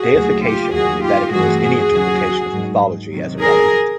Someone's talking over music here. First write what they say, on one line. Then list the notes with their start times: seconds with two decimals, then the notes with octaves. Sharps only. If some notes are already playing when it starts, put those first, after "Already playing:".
"Deification", that ignores any interpretation of mythology as irrelevant.
Already playing: F#4 G#4
0.14 D#2 C#3 F#3 A3
0.44 F4 G4
0.73 D#2 D#3 F#3 F#4 G#4
1.03 F4 G4
1.33 G2 E3 A3 C4 F#4 G#4
1.62 F#4 G#4
1.92 D#2 C#3 F#3
2.51 G#2 D#3 F#3
3.10 C3 D#3 F#3
3.40 G#4 A#4